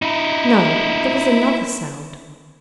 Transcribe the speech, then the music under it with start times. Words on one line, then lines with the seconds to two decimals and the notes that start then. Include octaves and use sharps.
No; there was another sound.
0.02 D#4 E4